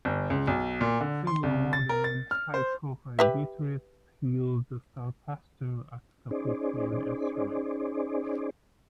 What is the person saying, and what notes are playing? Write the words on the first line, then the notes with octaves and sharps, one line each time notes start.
Several modern high-profile guitarists use the Starcaster as a preferred instrument.
G1
C#2
B1
A#2
D3
C6
C2
A6
A#4
A6
F6
C5
G4 B4 E5
C#4 D#4 G#4 C5 D5